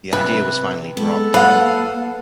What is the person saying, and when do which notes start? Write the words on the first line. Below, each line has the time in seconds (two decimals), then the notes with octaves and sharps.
The idea was finally dropped.
0.13 C3 B4
0.97 G#3 B3 A4
1.34 A#3 B4 F5 F#5